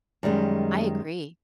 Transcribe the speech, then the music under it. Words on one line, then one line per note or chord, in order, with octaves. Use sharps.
I agree.
F#2 D#3 G3 G#3